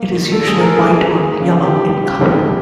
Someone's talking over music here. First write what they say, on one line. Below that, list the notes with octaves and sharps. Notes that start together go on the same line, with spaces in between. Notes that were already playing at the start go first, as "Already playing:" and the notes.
It is usually white or yellow in colour.
Already playing: A#3
D#3
G3 A4
G#4
D#3 A4
A#4
G#3 G#4
G#3
A#3
C#3
E3 G4
G3
C#3 G4
G#3